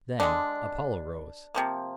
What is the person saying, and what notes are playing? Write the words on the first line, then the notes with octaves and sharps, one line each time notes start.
Then Apollo rose.
D3 G#3 D4
C3 F3 A#3